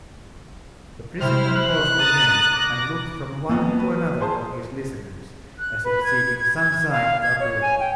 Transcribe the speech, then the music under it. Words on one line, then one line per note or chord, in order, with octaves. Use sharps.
The prisoner paused again and looked from one to another of his listeners, as if seeking some sign of approval.
C3 E4 C5 F6 E7
F#6
A#5 D#6 A6
D6 A#6
F2 A#3 B3
B4
G#4 C5 A5
F#6
B4
G#6
G#6
F5
G#6
C#5
G#5
G5